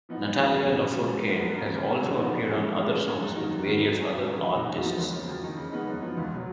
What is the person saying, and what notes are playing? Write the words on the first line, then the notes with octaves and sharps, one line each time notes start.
Natalia Lafourcade has also appeared on other songs with various other artists.
F3 B3 D#4
F#2
D#3 G#3 B3 D#4
F2
C#3 F#3 C#4
B2
G#3 C#4
G#2
F3 B3
F#2
C#3 F#3 A#3
C#3
G#3 C#4
F#2
F3 B3 D#4
A#2
F3 G#3 C#4
C#3
F3 G#3
C#3
G#3 C#4
F#2
D#3 F#3 A#3 D#4
F#2
D#3 F#3 B3
G#2
F#3 C#4
A#2
F#3 C#4
C#2
B2 A#3 D#4
F#2
F3 B3 D#4
C#2
C#3 F#3 A#3
F2
D#3 A#3 D#4
C#3
G#3 B3 D#4
F#2
F3 B3 D#4
C#2
B2 F#3